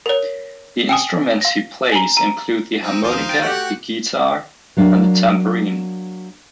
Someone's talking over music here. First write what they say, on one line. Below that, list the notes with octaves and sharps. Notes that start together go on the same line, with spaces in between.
The instruments he plays include the harmonica, the guitar and the tambourine.
A#4 C#5
G5 G#5 D#6
F5 A#6
G#5 A#5
A#5
C4 D#4
D#2 F3 D#4 C5 F5
G5 A6 D7
A3 F#4 G4 F#5
F#3 A#3 D4